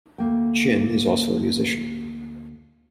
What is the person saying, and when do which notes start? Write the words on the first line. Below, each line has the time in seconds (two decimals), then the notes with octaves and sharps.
Chin is also a musician.
0.18 D2 A#3 G5